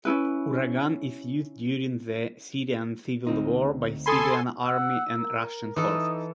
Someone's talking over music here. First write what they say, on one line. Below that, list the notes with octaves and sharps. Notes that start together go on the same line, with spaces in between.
Uragan is used during the Syrian Civil War by Syrian Army and Russian forces.
C#4 D#4 E4 B4
D2 C4 D#4
A4 G#5 B5 C6 D#6
F#5 E6
A#4
E3 D#4 A4 D#6